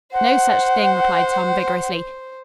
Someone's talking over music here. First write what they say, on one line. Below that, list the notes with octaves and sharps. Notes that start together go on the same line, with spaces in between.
"No such thing," replied Tom vigorously.
C5 F#5